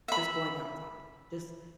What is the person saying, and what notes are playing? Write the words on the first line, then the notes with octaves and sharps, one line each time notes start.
just going outside. Just
E5 B5